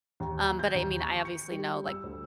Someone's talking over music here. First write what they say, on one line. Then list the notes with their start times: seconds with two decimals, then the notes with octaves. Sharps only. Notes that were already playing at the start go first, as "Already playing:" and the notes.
Um, but I mean, I obviously know, like,
0.20 D#2
0.59 G6
0.75 D#2
1.01 C#6
1.25 C#7
1.51 G3
1.86 E6
2.03 D2